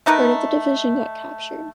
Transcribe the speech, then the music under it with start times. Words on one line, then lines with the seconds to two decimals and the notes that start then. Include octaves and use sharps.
Part of the division got captured.
0.06 A3 D#4 A#4 B4